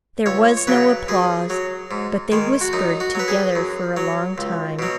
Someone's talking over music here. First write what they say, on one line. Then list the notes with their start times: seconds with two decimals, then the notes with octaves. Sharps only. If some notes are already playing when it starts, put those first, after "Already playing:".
There was no applause; but they whispered together for a long time.
0.26 C#2 C#5
0.57 C#5
0.67 C#3 F#3 B4
1.08 F#2 G#4
1.50 F#3
1.91 G#2
2.32 D#3 G#3
2.61 F#4
2.73 F#2 D#4
3.00 F#4
3.15 F#3 B4
3.28 G#4
3.55 F#2
3.97 F#3
4.38 C#2
4.79 B2 F#3